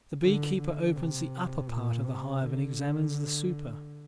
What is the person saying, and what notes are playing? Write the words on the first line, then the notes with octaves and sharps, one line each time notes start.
The beekeeper opens the upper part of the hive and examines the super.
D3
D3
C3
A#2
C3
D3